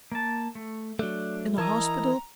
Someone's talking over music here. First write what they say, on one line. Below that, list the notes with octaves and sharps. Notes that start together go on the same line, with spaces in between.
"In a hospital?"
A#3 A5
A3
F#3 A3 D4
E3 E4 A#4 D#5 A5 A#5